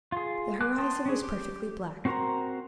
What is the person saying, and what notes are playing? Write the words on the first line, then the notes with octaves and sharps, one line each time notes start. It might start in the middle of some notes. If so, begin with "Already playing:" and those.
The horizon was perfectly black.
F4 G#4
G#5 D6 F#6
G5 A5 C6 D#6
C#4 D4 G#4
G4
C4 F#4 A#4 C5 A#5